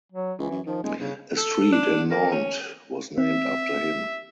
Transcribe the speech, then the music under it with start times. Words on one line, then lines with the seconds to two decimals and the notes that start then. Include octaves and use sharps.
A street in Nantes was named after him.
0.12 F#3
0.39 C#2 E3
0.51 F#2
0.66 D#3 F3
0.83 D#1 G#3
1.00 G1 C#3
1.37 A4
1.72 D4
2.11 A#3
2.32 C#4
3.18 C4 E5